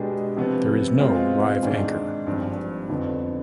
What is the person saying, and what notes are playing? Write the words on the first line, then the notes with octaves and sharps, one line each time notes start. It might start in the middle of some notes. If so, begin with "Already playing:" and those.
There is no live anchor.
Already playing: B2 G#3 B3 D4 G4
C3 F3 B3
B2 G#3 C4 F4
G#2 D#3 G#3 D4
G#1 G2 F3
F2 D3 F3 B3